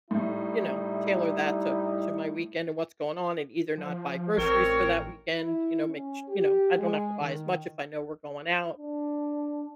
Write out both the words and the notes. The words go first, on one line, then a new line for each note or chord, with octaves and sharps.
you know, tailor that to to my weekend and what's going on and either not buy groceries for that weekend, you know, make ch you know, I don't have to buy as much if I know we're going out,
A2 G3 D#4 E4
F3
A1 C4 A#4 C#5
E4
C#4
G4
G#3
D#3
D4